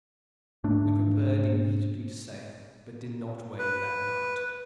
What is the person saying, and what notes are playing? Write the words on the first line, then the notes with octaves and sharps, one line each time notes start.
We prepared immediately to sail, but did not weigh that night.
G#2 A3 D4
B4